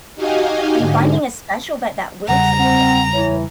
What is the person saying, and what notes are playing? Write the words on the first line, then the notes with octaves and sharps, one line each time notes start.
And finding a special vet that will treat them.
D#4 F#4 G4 D#5 F5 G#5
G#2 D3
E2 C#3 G3 F#5 A#5
C4 F#5
E3 C#5